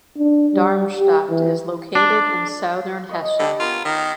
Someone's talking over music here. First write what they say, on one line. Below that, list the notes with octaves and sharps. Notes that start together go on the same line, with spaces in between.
Darmstadt is located in southern Hesse.
D4
G3
G4
E3
D4
C#5 D#5
D#6
D3 G4 B4 A5
B3 F4 A#4 A#5
D#3